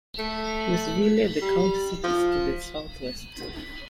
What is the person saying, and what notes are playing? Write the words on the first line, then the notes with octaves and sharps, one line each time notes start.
Louisville, the county seat, is to the southwest.
A3
G3
F3